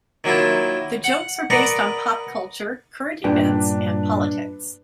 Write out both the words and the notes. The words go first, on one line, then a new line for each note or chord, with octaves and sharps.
The jokes are based on pop culture, current events, and politics.
D#3 F#3 A#3 E4 F4
F#5
A#4 B4 D5 D#5 F#5 A#5
G2 A#2 D4 G4 B4